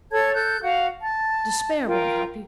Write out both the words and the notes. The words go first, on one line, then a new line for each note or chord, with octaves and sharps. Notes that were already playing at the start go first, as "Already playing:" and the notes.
Despair won't help you.
A4 C#5 A5 G#6
A4 F#6 G6
F#4 F5 F#5
A5
F4 A#4 G5